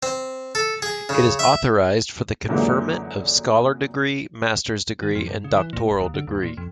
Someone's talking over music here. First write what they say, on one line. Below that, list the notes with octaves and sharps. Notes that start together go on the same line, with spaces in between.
It is authorized for the conferment of Scholar degree, master's degree and doctoral degree.
C4
A4
G#4
C#3
E5
F#2 A#2 D3 E3 G#3
D#3
F2
G2
C#3
E3
A#2
D1
D#2
D3
D#2
A#2
F2